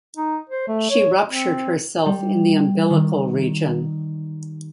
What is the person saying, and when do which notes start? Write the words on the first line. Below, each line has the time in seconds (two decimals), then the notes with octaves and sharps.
She ruptured herself in the umbilical region.
0.17 D#4
0.50 C5
0.68 A3
0.90 C#5
1.26 C4
2.06 G3
2.90 D#3